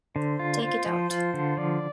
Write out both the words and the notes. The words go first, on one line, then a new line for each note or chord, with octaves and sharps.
Take it out!
D3 C5
F4
F4 C5
F3
F4
D3
F3 D5